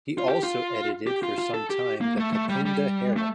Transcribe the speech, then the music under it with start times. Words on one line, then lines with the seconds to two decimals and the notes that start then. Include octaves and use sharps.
He also edited for some time the "Kapunda Herald".
0.18 F4
0.28 G4
0.43 F4
1.07 G4
1.23 F4
1.38 F4
1.54 A4
1.70 G4
2.01 A#3
2.18 A3
2.33 A3
2.49 G3
2.65 G3
3.16 A3